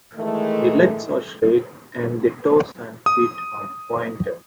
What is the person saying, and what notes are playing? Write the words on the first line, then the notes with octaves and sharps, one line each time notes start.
The legs are straight, and the toes and feet are pointed.
D#3 E3 G#3 A3
D#6